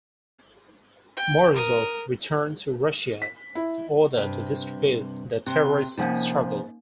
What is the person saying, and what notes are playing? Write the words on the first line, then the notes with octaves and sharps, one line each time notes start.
Morozov returned to Russia in order to distribute "The Terrorist Struggle".
G5
A#4 D#6
B6
E4
G2 C3
C3 C4 C6
C3 F3 A#3 C#4 D#4 F#5